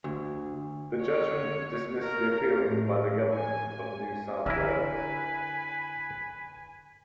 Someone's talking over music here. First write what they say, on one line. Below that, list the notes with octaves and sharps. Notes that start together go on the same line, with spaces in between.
The judgment dismissed the appeal by the Government of New South Wales.
D2
C#5
A#4
A2
G#5
D3 E4 A#4 B4 E5 G#5